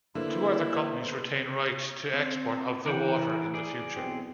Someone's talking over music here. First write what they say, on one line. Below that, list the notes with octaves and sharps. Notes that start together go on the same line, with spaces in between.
Two other companies retain rights to export of the water in the future.
D3 A#3 E4 A4 B4 C5
C4
E3 A#4 F#5 G5
G#4 D5
B1 E2 C4